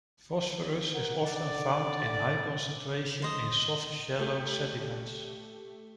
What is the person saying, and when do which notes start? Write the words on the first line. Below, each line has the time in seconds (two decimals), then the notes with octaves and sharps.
Phosphorus is often found in high concentration in soft shallow sediments.
0.94 A#4 F#5
1.27 D3 D5
3.22 C5 D#5 A#5
4.19 A3 G4 G6